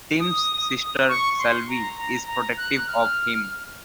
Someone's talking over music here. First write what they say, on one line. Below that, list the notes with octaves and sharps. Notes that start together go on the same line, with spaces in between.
Tim's sister, Sylvie, is protective of him.
D#6
C#6
C6
A#5
A#5
A#5
F#6
F6